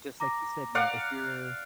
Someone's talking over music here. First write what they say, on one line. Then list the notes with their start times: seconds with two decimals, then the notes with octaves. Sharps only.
just like you said, you know, if you're
0.20 A#5 D6 A#6
0.75 D5 F5 F#5